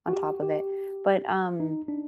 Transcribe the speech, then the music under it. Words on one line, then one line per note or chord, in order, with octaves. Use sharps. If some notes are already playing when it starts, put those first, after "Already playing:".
on top of it. But, um,
F#4
G4
G4
D#4
D4